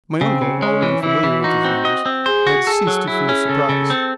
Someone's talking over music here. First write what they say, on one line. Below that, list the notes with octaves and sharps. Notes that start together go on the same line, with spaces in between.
My uncle, already familiar with these wonders, had ceased to feel surprise.
C#3 C4
C#3
G#3 C#4
E3
E3 E4
E3
D#4 F#4
C4
D#5
C4
G#4 C5
F#4
G#4 A4
F#3
E4 G#4
C#4
C#3 A4
C#3
C4